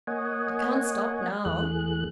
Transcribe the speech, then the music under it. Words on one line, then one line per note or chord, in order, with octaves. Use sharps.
"I can't stop now."
A#3 C#5 D#5 F#5 G#5
E2 E3 A3 G#4 F#6